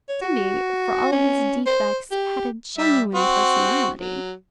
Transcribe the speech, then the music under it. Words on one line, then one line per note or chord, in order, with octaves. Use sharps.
Tibby, for all his defects, had a genuine personality.
C#5
F#4
C#4
C5
G4
G3 E5
C4 F#4
F#3